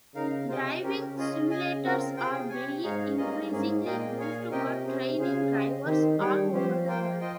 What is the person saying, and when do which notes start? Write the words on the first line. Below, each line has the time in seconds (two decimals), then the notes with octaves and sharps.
Driving simulators are being increasingly used for training drivers all over the world.
0.15 C#3 D#4 A#4 F5
0.48 C3 F4 C5 D#5 G5
0.82 C#3 C#4 G4 A#4
1.16 C#4 F4 G#4 D#5
1.49 G#4 D#5 G#5
1.83 C4 F4 A#4
2.17 C3 F4 G#4 C5 G5
2.49 G4 C#5 G#5
2.83 G#2 D#4 G#4 C#5 F5
3.17 G2 A#3 C#4 F4 G#4 D#5
3.51 G#2 A#3 C#4 G#4
3.84 A#2 A#3 F4 G#4 D#5 G5
4.18 G#4 C#5 F5 G#5
4.51 C3 C#4 G4 A#4 D#5 G5
4.85 C#4 G#4 C5
5.18 C#3 G#4 C5 F5 G#5
5.52 G4 C5 D#5
5.86 D#3 C4 G4 C5
6.19 G3 G#4 C#5 G5
6.52 F3 C#4 G4 C5
6.87 A#3 F4 C5 G5
7.20 F4 C5 D#5 G5